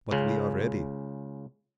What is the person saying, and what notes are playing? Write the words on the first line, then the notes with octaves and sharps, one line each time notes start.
But we are ready.
C#2 C#3